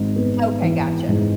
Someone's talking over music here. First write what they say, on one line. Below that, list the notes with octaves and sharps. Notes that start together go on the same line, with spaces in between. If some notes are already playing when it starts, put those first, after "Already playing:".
Okay, gotcha.
Already playing: G#1 G#2
B3
E3
G#2